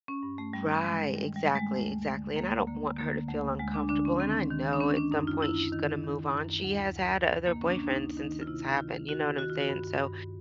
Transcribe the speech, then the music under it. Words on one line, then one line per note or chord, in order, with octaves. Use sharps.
right, exactly, exactly, and I don't want her to feel uncomfortable, and I know at some point she's gonna move on; she has had other boyfriends since it's happened, you know what I'm saying? So,
C#4
G2
A3
G2 G3
D#3 G#3
D#3 G3
G3
G2 A3
G#3
D2 A3
D3
D2 A#3
D3 A#3
D3 A#3
D2 A3
D2 G#3
D4
D3 D4
C#4
D#3 C4
D#3
D4
D#3 C#4
D4
F#2 D#4
F4
F#2 E4
D#3
D#3
F#2
D2
D2
C3
A#3
D#3
C#4
D4
D4
D2 D#4
D#3 D#4
F4
C3 E4
D#3 F4
D#3 F#4
D#3 F#4
F4
F#4
G2
G2